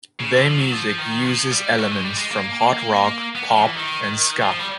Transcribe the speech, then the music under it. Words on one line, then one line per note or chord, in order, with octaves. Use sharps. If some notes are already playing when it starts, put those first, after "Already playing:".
Their music uses elements from hard rock, pop and ska.
C#3
D3
F3
F#3
F3
D#3
F3
G3
A3
G#3
G3
G#3
A#3
B3
F3
E3
D#3
F3
G3